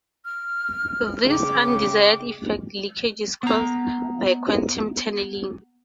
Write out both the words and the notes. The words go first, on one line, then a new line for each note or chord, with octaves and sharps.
This undesired effect, "leakage", is caused by quantum tunneling.
F6
C#3 G5 D6
B3 A#5